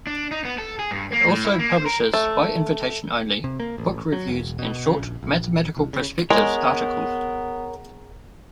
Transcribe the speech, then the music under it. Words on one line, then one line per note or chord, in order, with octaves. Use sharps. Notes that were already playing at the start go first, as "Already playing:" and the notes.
It also publishes, by invitation only, book reviews and short "Mathematical Perspectives" articles.
D4
D#4
B3
A4
G#4
G2
A#3
A2
E4
A#3
C5
A#4
A3
C3
A#3
A1
F#3
E1
B2
C#3
A#1
A#1
C2
C#3
G#3 B3 A#4 C#5